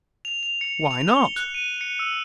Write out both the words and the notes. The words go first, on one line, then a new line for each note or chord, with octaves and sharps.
"Why not?"
F7
F7
C#7
F7
G7
F#6
D#7
C#7
E6